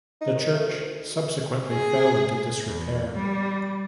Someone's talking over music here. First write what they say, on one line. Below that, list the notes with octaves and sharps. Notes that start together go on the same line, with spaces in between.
The church subsequently fell into disrepair.
D#4
D#3
A3
D2
G#4
E2
G3